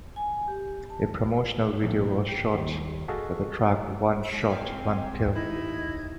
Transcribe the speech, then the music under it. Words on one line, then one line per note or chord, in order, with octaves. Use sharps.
A promotional video was shot for the track "One Shot, One Kill".
G#5
G4
A5
A#1 A2
G5
D#2 G3
F#4 G#4 A4 D#5 F5
E6 B6 D7
C4 F5 G5 G#5
D#2 D#4 E4 D#5 G#6